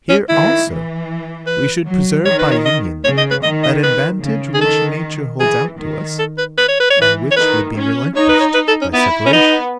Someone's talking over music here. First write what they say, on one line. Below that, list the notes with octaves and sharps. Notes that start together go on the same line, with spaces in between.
Here also we should preserve by Union, an advantage which nature holds out to us, and which would be relinquished by separation.
C#4
D#3 E4
E3
B4
F#3
D#3 C#5
B4
C#5
D#5
C#3 C#5
D#5
B4
D#3 D#5
D#5
B4
C#3
G#4
D#3 A4
E3 G#4
D#3
A4
B4
B4
C#5
B4
C#5
E3 B4
C#5
D#3 B4
C#4
D#4 C#5
B4
C#5
B4
A4
C#4
B3 E4
C#4
B3 D#4